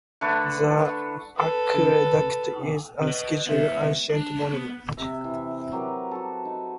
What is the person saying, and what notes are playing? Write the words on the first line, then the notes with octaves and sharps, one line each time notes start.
The aqueduct is a scheduled ancient monument.
D3 A3 A4 B4
A4 B4
B4 D#5
B3 E5
D4
B3
C3 E5
E3
F#3 G4 A#4 B4
F#4 A4
D#4